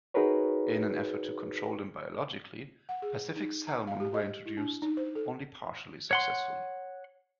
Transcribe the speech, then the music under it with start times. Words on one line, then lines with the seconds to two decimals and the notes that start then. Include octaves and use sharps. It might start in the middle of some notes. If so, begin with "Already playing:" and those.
In an effort to control them biologically Pacific salmon were introduced, only partially successfully.
0.14 D#4 F#4 G#4 A#4 B4 C#5
2.89 F#5
3.02 G#4
3.36 D#4
3.67 A#5
3.87 F5
4.00 G4
4.14 D#5
4.45 E4
4.57 D4
4.82 D#4
4.97 C5
5.15 A4
6.11 C#5 F#5 C6